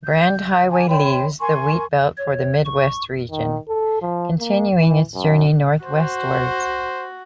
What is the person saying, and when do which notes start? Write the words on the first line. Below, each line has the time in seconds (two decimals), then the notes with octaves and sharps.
Brand Highway leaves the Wheatbelt for the Mid West region, continuing its journey north-westwards.
0.04 G6
0.69 G#5 A5 D6
0.88 C#5 G5 B5 C6
1.39 A#4 G#5 C6 C#6
2.18 C#5
2.65 C#6
3.31 D#3
3.69 A4
4.02 F3
4.39 A#3
4.79 E3
5.15 F#2
5.84 F#4 C5